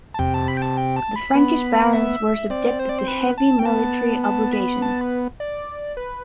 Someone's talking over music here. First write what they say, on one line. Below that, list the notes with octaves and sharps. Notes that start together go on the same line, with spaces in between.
The Frankish barons were subjected to heavy military obligations.
A5
C3 G5
A5
B5
G5
A5
G5
A5
B5
B3 B5
E5
C4 D5
C5
D5
C5
B4
A5
G5
B3 A5
A5
B5
A5
B4
D5
B4